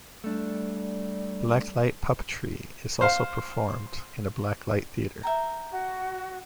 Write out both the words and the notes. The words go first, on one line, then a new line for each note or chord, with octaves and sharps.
Black light puppetry is also performed in a black light theater.
G3 A3 D4
C5 F5
E5 G5 A#5
F#4